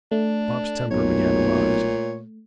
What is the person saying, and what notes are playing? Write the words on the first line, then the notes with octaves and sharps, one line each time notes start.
Bob's temper began to rise.
A3 D4
B1 A#2 C#5